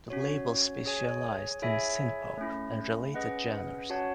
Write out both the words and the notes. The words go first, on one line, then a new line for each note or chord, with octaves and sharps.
The label specialized in synthpop and related genres.
C#4 F#4 C#5
G#4 C#5 G#5
E4 G#4 C#5 E5 G#5
A3 C#4 E4
C#4 G#4 B4 D#5 F#5
C#4 F#4 C#5 F#5 A5